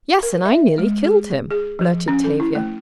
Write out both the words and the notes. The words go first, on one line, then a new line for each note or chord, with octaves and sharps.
"Yes, and I nearly killed him," blurted Tavia.
A#4
E5
G#3
G#4
G#4
F3
C#4
A4
E4
A3